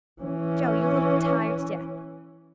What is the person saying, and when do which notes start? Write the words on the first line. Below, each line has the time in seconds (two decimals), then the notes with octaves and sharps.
Jo, you look tired to death.
0.22 E3 C#4